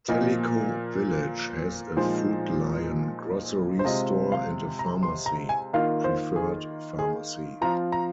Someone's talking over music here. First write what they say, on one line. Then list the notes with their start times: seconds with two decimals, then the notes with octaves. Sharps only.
Tellico Village has a Food Lion grocery store and a pharmacy, Preferred Pharmacy.
0.08 A#2 F3 A#3 D#5
1.97 A#2 F3 G#3 D#4 C5
3.79 C5
3.84 C3 G#3 C4 F4 D#5
4.32 F5
4.79 A#5
5.03 C6
5.26 A#5
5.49 G#5
5.73 D#3 A#3 F4 F5
6.04 C5
6.36 G#4
6.99 G#4
7.61 F3 C4 F4 A#5
7.92 A#5